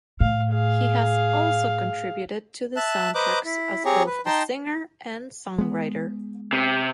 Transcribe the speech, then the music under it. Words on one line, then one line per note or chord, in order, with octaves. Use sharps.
He has also contributed to the soundtracks as both a singer and songwriter.
A2 F5
G#4 F5
E5 A5 F#6
B4 C5 D#5 A#5 D6 F#6
E4
C4 G4 G#4 C#5 A#5
B4
D#4 G5 A5 A#5 C6
G#3 B3
C3